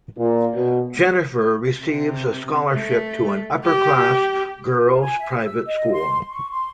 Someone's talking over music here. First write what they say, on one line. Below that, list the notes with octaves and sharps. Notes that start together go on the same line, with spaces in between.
Jennifer receives a scholarship to an upper-class girls private school.
A#2
B2
C3
A3
G4
F4
G#5
E5
E6
D#5
C6
C#6
C6